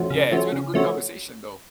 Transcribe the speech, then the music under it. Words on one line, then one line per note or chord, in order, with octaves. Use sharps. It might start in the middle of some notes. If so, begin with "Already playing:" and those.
Yeah, it's been a good conversation, though.
Already playing: F3 A3 C#4 F#4
C#3
F3 A3 C#4 F#4
C#3
F3 A3 C#4 F#4